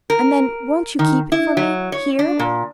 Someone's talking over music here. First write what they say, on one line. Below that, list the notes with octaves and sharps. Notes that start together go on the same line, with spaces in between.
And then--won't you keep it for me--here?
A#4
D#3
E4
F#3
C#5
D4
A#2